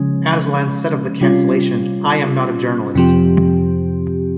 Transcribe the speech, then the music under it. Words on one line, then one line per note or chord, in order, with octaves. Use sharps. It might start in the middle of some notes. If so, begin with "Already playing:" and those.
Aslan said of the cancellation, I am not a journalist.
Already playing: C#3 F3 G#3 C#4
C3 G3 C#4 F4
F2 C3 F3 C4 G4